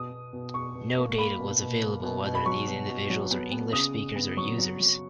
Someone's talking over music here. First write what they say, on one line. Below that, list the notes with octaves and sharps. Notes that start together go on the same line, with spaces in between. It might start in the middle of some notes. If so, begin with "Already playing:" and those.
No data was available whether these individuals were English speakers or users.
Already playing: B2 D#6
B2
B2
B2 C#6
B2
A#3
A#3 B5
B2
B2
A#3
B2
B2
B5
F#3 C#6
B2
B2
F#3
B3
B3
C#3 D#6
C#3
B3
F#3 C#6
F#3
F#3